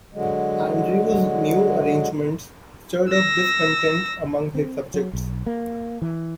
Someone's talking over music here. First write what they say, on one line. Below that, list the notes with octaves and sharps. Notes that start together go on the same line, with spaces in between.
Andrew's "new arrangements" stirred up discontent among his subjects.
D3 F#3 G#3
E6 A#6
C4
F#3
B1
A#3
E3